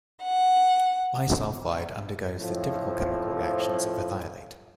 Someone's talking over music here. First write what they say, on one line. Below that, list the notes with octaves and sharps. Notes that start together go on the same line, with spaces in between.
Bisulfide undergoes the typical chemical reactions of a thiolate.
F#5
F2 A2 F3